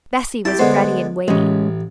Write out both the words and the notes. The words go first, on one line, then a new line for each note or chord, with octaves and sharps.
Bessy was ready and waiting.
E4 G4 A5
D3 G#3 B3 C5
A1 G#3 C#4